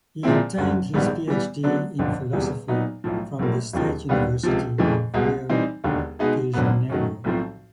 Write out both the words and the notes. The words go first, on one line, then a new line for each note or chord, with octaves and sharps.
He obtained his PhD in Philosophy from the State University of Rio de Janeiro.
A#2 F3 G#3 C4 E4
F#1 F#2 D3
A#1 G#2 D#3 G3 B3
E3 G3 B3
D3 F#3 B3 D4
G1 F2 D3
E1 E2 C3 E3 G3
A#2 F#3 B3 D#4
B1 A2 F3
A#1 A2 F#3 A#3
E1 D#2 C#3 F3
D#2 D3 G3 B3
C#2 C3 F3
F2 C#3 E3 A3
C2 B2 G#3
E3 G3 C4 D#4
E1 D#2 D3
B2 G#3 B3 D#4 G#4
G#1 F#2 D3 F#3 B3
F#2 D#3 F#3 A3
B1 A2 F3 A3 C4